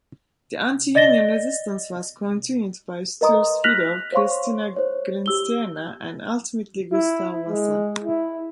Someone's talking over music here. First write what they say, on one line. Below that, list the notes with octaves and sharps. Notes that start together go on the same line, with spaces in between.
The anti-union resistance was continued by Sture's widow Christina Gyllenstierna and ultimately Gustav Vasa.
D5 D#5 A6 A#6 G7
A#4 B4 D#5 A#5 C6 D#6
F6 F#6 A#6 B6 F7 F#7
C5 C#5 F5 C6 C#6
C5 C#5
G4 E6 G7
E4
G#3
E4